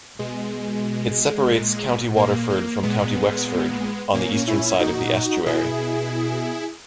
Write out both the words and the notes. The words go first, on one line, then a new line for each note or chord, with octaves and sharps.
It separates County Waterford from County Wexford on the eastern side of the estuary.
B2 G#3
A#2
A#3
A#3
A#2 G#3 B3
A#2 A#3 C#4
C#4 E4
D#4 F#4
B2 E4 G#4